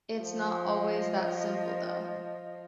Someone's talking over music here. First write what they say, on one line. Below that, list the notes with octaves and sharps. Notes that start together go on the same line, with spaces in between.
It's not always that simple, though.
F3
D#5